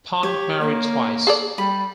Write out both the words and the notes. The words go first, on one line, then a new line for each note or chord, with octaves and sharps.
Ponet married twice.
G4 C#5
A#3
G#4 A4 D5
G3 B5